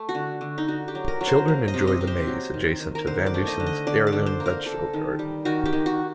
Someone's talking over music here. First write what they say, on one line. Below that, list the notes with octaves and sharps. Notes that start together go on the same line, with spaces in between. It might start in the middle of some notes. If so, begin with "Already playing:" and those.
Children enjoy the maze adjacent to Vandusen's heirloom vegetable garden.
Already playing: A3
F#4
D3
D3
D#4
D3 F#4
G4
F#3
A#4
F#3
C5
A#3
D#5
C3
D#5
C3
C5
F#3
D#3
D#3
A#4
D3 C5
D5
A3
D#5
D3
D#5
D3 D5
D5
D3
C5
A#3
A#4
A#3 A4
D#3
G3
D#3 F#4
G4
D#3
F#4